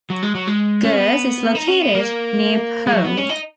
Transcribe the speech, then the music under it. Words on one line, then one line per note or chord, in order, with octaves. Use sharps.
Gurs is located near Pau.
F#3
G#3
F#3
G#3
C#4
B3
D#4
C#4
B3
A#3
G#3
F#3
B3
C#4
D#4